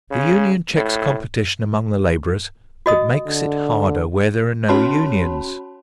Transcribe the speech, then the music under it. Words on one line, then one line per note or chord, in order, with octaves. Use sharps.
The union cheeks competition among the labourers, but makes it harder where there are no unions.
C#3
A2
F#4 D#5 D#6
D3
C#4 F#4 C#5 A5 B5 C6